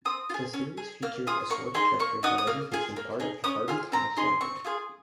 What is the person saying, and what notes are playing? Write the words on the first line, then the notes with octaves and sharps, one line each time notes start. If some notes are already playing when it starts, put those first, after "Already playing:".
The series featured assorted characters that later became part of the Harvey Comics library.
C4 D#6
F4
G#4
C#4
G#4
A#3 F6
F4 G#4 D#6
A#3 C#6
D#4 G#4 C6
A#3 C#6
D#4 F#4 D#6
D#6
A#3 F6
F4 G#4
A#3
D#4 G#4
C#4 D#6
F4 G#4 F6
C4 A#5
D#4 G#4 C6
C4 C#6
F4 G#4 D#6